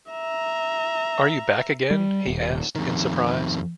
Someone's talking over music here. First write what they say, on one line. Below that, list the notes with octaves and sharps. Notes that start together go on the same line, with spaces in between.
Are you back again? he asked, in surprise.
E5 A#5
G3
D#1
F2 D#3